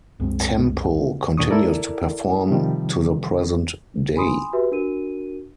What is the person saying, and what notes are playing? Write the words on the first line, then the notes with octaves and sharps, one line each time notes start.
Tempo continues to perform to the present day.
C2 F#2 G#3 C4
D#2 A#2 D4 C#6 D#6
E4 A4 A#4 D5
C3 D#3 F3 G3
G#5 B5 C6 D#6
F#4 G4 B4 E5
D4 F#4 A#4 D#7